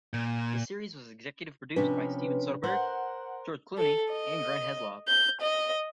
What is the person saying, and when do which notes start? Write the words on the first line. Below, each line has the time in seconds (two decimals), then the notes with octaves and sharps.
The series was executive produced by Steven Soderbergh, George Clooney, and Grant Heslov.
0.13 A#2
1.76 C3 F3 C#4 D4 B4
2.63 A#4 C5 F#5
3.78 A4
4.13 D#5
5.08 G6
5.41 D#5